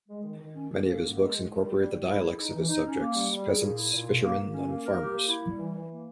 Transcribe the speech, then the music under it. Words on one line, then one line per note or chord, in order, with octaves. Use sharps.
Many of his books incorporate the dialects of his subjects: peasants, fishermen and farmers.
G#3
D#3
D#3
C#4
C#4
A#3
B3
G#3
G#3
G#3
G3
G3
G3
E4
G#4
D#4
E3
D#4
C#4
A#3
G3
G3
G#4
A#2
E4
A#2
B2
A#3
A#3
C#4
A#3
A#4
G4
A#3
E4
G3
E3
E3
A#3